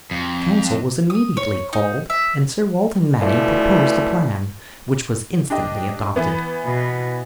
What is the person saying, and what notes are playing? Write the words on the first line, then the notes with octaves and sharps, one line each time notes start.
A council was immediately called, and Sir Walter Manny proposed a plan, which was instantly adopted.
F2
D#6
C#5
D#4
E5
B2 D3 E3 F3 A3 E4
D4 G4 D#5
E3 B3
B2